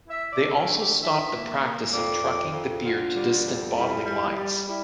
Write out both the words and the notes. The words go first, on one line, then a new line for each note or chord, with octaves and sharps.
They also stopped the practice of trucking the beer to distant bottling lines.
E4 E5
D5
A3
A4
A#4
D3
G4
E3 E5
A#3
A#3
F2 D5
F2
F2
D3 F4
G3
F2
G3 E4
G3
G3
G3 E4